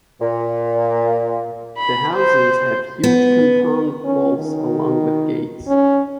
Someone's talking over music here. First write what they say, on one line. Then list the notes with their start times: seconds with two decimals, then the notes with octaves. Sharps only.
The houses have huge compound walls along with gates.
0.21 A#2
1.77 B5
2.14 C5
3.04 B3
4.04 C#4
4.38 D#3
5.68 C#4